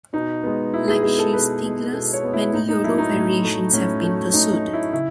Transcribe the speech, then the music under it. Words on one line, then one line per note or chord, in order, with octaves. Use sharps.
Like Schiefspieglers, many Yolo variations have been pursued.
B2 D#4
G#3 B3
B2 E4
G#4
G#3 B3 G#4
A4
B2 B4
G#3 B3
B2 A4
C#5
G#3 B3
E4
A2 D#4
D#4
F#3 A3 E4
D#4
A2
F#3 A3
A2 C#4
F#3 A3
A2 D#4
D#4
F#3 A3
E4
C#3 E4